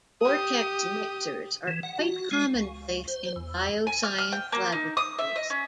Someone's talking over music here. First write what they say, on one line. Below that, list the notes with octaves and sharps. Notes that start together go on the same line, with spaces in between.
Vortex mixers are quite commonplace in bioscience laboratories.
G4 D#6
E3
F#5
F#4
G#3
C#2
C5
E2
G#5
F6
F6
G5
A#3
D#4
D#6
E5
D#5
C#4